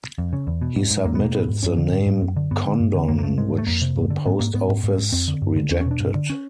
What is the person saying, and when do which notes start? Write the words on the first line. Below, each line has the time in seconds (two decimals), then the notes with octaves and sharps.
He submitted the name Condon, which the Post Office rejected.
0.18 F2
0.33 C#3
0.47 E2
0.61 B2
0.76 G#2
0.91 G#2
1.05 E2 A#3
1.15 B3
1.20 B2 A#3
1.34 G#2 B3
1.48 G#2
1.63 F#2 C#4
1.78 D3
1.92 G#2
2.06 G#2
2.22 F#2
2.36 D3
2.51 G2 B3
2.65 D3
2.80 G2
2.95 D3
3.08 F#2 A#3
3.18 A#3
3.23 C#3 A3
3.38 G#2 G#3
3.53 G#2
3.58 A3
3.67 F2 A#3
3.82 C3
3.96 G2
4.10 D3
4.26 G#2 B3
4.39 G#2 A#3
4.54 G#2 B3
4.69 G#2
4.84 G#2
4.98 G#2
5.12 F2 C4
5.28 D3
5.42 G2
5.56 D3
5.70 E2 C#4
5.81 C#4
5.86 B2 D4
6.00 G2
6.15 D3
6.30 C#4